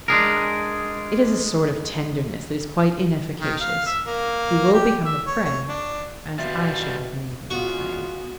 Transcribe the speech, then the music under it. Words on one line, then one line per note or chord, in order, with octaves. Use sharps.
It is a sort of tenderness that is quite inefficacious. He will become a prey, as I should have made him a prey.
G#3 D4 G#4 A#4
D#3
F5
E5
A#3
G4
E5
C#5
C#5
D4
B2 G3 F4 E5
C#3 G#3 B3 F4 F#4